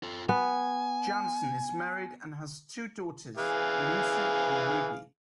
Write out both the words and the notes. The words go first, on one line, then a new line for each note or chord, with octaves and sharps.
Jansen is married and has two daughters, Lucy and Ruby.
F4 A4
B3 G#5
E3 G#4 F5